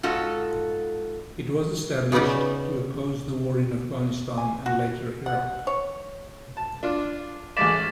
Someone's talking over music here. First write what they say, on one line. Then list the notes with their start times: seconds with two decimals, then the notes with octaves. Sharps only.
It was established to oppose the war in Afghanistan and later Iraq.
0.03 G#2 F4 F#4 A4
2.12 C#3 B3 C#4 D#4 D5
4.38 G#5
4.66 F#4
5.26 F#5
5.67 C#5
6.57 A5
6.83 D4 F4
7.57 A1 G#3 D5 A6 B6 E7